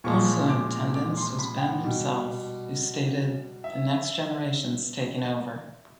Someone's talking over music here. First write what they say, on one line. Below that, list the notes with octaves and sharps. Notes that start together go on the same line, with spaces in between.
Also in attendance was Ben himself, who stated, The next generation's taking over.
A#2 F3 G#3 C#6
D6
D6
C6
B5
G5
F#5
B2 G3
E5